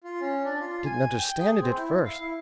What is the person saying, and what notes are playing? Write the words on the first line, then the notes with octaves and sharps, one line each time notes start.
I didn't understand it at first.
F4
C#4
D4
F4
G#5
G5
G#4
C4
E4
F5
E4